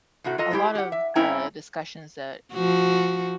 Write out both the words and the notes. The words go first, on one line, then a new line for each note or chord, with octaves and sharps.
the, uh, a lot of the discussions that,
A2 C3 A3 F#4
F4 A4 D#5 A#5
G#3 E4 G4 C5
G4 F#5
E5
G2 C4 C#4 E4 G5 A#5
F3 F#4